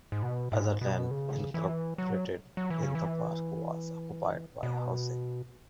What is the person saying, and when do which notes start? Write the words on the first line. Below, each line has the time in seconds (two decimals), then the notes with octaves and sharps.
Other land incorporated in the park was occupied by housing.
0.12 G#2
0.22 B2
0.52 G#2
0.81 B2
1.11 C#3
1.54 E3
1.98 F#3
2.57 F#3
2.70 E3
2.83 C#3
2.95 E3
4.63 B2